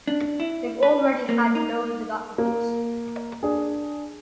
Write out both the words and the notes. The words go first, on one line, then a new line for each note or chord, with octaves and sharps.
They've already had loads of applicants.
D4
E4
B4
A#3
D#4
A#3
D4 G#4